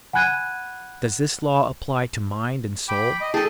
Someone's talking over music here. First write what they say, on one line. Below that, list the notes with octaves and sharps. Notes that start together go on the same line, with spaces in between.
Does this law apply to mind and soul?
F#5 G#5 B5 F#6 G#6 D#7
G5 B5 D6
D#5
G#4 A4 G5 A5